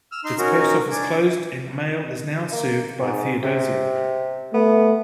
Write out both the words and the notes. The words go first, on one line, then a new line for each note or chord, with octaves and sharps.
Its post office closed and mail is now served by Theodosia.
E6 F6
D#4 C6
C#4 D#4 F#4 A#4
D4 G#5 D6
A#3
G#2
C3
A3 B3